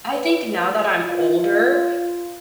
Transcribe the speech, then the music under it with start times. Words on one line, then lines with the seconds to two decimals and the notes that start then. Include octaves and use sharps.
I think now that I'm older,
0.13 B4
1.05 F4